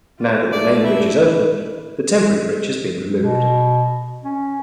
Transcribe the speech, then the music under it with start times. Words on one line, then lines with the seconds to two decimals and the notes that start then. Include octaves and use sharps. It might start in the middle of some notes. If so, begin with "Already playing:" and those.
Now that the main bridge is open, the temporary bridge has been removed.
0.19 F4
0.52 A3 D5
0.84 E4
3.20 B2
4.24 C#4